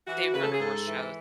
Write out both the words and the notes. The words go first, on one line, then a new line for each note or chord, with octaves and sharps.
they run horse shows,
E3 F#4
C#3 B4
A4
G#4
G#2 A4
E3